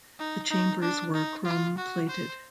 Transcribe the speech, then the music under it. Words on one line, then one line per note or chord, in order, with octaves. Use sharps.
The chambers were chrome-plated.
D#4
D#4
D4
D#4
F4
F#4
C5